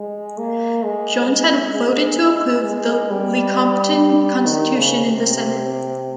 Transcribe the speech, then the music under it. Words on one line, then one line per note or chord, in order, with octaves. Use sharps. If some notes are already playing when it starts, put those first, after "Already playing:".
Jones had voted to approve the Lecompton Constitution in the Senate.
Already playing: G#3
A#3
G#3
G#3
G#3
G#3
G3
D#3
C#3
C3